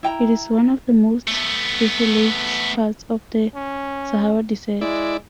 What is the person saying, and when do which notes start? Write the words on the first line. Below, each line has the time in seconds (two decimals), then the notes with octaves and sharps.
It is one of the most desolate parts of the Sahara Desert.
0.03 E4 G5 A#5
1.28 A3 B3
3.55 C#4
4.81 G#3 E4 D5